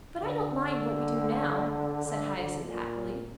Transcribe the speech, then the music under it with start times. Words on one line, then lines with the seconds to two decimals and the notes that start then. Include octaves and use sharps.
"But I don't mind what we do now," said Hyacinth happily.
0.22 D3
2.06 D3
2.36 D3
2.66 A#2